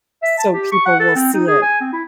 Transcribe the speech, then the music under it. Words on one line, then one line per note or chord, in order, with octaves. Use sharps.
so people will see it.
E5
A5
G4
C#6
F#5
A4
C4
D#4
G#4
G#5
C4
E4